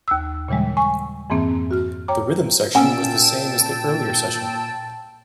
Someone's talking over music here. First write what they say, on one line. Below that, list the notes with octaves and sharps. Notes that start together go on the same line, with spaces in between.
The rhythm section was the same as the earlier session.
D#2 E6
A#2 C#3 E3 G3 G#3
G#5 C#6
F2 G#2 E3 A#3 C4
F#4 F6
C#5 G5 A#5 D6
A#2 B3 C#4 G5 A5 E6 D7